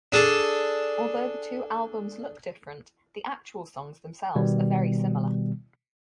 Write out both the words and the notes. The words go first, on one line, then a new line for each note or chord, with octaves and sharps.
Although the two albums look different, the actual songs themselves are very similar.
D4 G#4 A4
B2 D#3 G3 B3